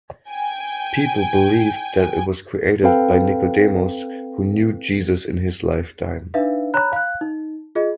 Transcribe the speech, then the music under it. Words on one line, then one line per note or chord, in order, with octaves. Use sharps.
People believe that it was created by Nicodemus who knew Jesus in his lifetime.
G5 G#5
C4 A4 B4 F5 G5
D4 D#4 B4 E5 F5
C#5 A#5 B5 F#6
F5 F#6
D#4
F4 G#4 D#5